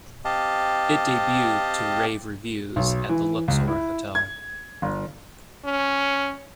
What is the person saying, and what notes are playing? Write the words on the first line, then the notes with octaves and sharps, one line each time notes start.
It debuted to rave reviews at the Luxor Hotel.
C4 G4 D#5 F5 A5
B1
E3
C#2
E4
G#6
G1
C#4